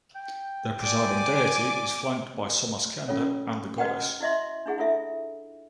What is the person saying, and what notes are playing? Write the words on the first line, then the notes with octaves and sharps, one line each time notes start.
The presiding deity is flanked by Somaskanda and the Goddess.
G5
D5 G#5 D6
C#4 F4 A4 C#5
F#4 B4 D#5 F#5 G5
E4 F#4 D#5 E5 C6
D4 E4 G#4 F#5
E4 F4 A4 E5